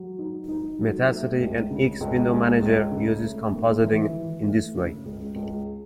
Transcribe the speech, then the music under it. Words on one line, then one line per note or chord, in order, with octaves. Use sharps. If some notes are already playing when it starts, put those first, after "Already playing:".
Metacity, an X window manager uses compositing in this way.
Already playing: F#3
D#4
D#4
F#3
A3
C#2
C#3
C#2
G#3
C#2
C#3
A3
D#2
E3
E3
A3
C#3
C#2
C#2